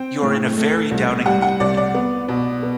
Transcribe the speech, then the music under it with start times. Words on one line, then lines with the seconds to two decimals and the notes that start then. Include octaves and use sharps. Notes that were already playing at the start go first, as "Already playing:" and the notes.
You are in a very doubting mood.
Already playing: C4 G5
0.22 A2
0.57 A3
0.91 C2
1.26 G3 F#5
1.42 F#5
1.60 C2 D5
1.77 D5
1.94 B3
2.28 B2
2.63 B3